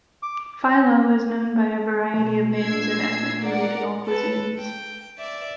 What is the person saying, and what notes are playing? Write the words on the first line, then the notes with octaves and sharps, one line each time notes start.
Filo is known by a variety of names in ethnic and regional cuisines.
D6
B2 A3
A#2 D4 E6 G#6 C7
A#4 D5 F#5
A4 B4
G5
D5 E5